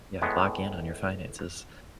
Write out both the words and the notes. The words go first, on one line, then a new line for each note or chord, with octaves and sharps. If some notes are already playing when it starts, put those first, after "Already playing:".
Yeah, lock in on your finances.
A2 G#3 B3